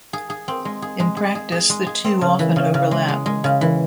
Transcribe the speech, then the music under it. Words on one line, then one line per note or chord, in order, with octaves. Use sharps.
In practice, the two often overlap.
G#4
G#4
C4
G#3
G#4
G#3
G#4
G#4
G#4
G#3
G#4
C4
C#3
E3
C#3
C#3
G#3
G#3
G#3
C#3
E3